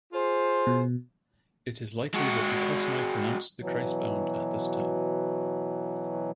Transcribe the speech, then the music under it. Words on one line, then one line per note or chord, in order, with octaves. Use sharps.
It is likely that Duquesnoy produced the "Christ Bound" at this time.
F4 G#4 C5
B2
G#3 F#4
B2 E3 F#3